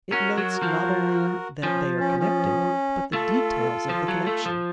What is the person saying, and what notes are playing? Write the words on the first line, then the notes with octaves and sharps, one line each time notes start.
It notes not only that they are connected, but the details of the connection.
C#4 F#4 A#4
F#3
F3
F3 C#4
C#4
C#4
A3 F4 A4
F3
F#3
A3
F3